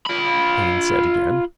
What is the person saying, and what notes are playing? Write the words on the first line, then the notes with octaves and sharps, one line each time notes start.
Haines said again.
F4 B5